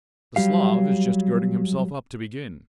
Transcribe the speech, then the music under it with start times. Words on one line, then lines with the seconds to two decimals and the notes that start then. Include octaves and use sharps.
The Slav is just girding himself up to begin.
0.36 F#3 G3 G4 F5